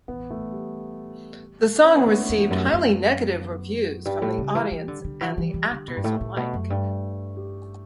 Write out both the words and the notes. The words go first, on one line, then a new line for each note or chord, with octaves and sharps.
The song received highly negative reviews from the audience and the actors alike.
E3 B3
A3
G3
C#4
B3
D3 A3
B3
E2
G3
F#2
A3
F#2 B3
G2 G3
A2
C#3
E3
E3
D3
D3
E3
E3 G3
E3
D3
B2
G2
A2 A3
A2
B2
F#2
G2
G4